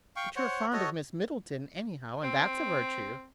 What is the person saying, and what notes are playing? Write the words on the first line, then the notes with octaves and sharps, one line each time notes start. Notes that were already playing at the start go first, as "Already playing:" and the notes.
"But you're fond of Miss Middleton anyhow, and that's a virtue."
F5 G5 C#6
C5 C#5 F#5
F#4 A4 C#5 D#5
C4